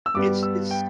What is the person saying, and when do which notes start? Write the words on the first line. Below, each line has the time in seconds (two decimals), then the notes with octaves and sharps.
It's it's
0.06 E6
0.14 G2 G3 B3 D6
0.43 E6
0.71 G5